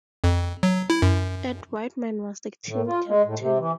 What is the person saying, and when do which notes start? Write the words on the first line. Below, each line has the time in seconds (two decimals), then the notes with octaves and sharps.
Ed Whiteman was the team captain.
0.24 F2
0.63 F#3
0.90 E4
1.02 F#2
2.66 A2
2.87 F4
3.08 G#3
3.25 A2
3.39 C3
3.59 E3